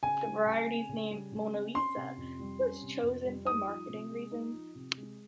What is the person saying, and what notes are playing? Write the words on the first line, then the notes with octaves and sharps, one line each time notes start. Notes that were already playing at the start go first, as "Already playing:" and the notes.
The variety’s name, 'Monalisa,' was chosen for marketing reasons.
C#3 G#5
G3
C#3
C4
C#3
G3
C#3
C4
C#4 C6
C3
F2
G3
C#4
C3
F2
G3
D#4 D#6
F3
C3
G#3
D#4
F3
C3
G#3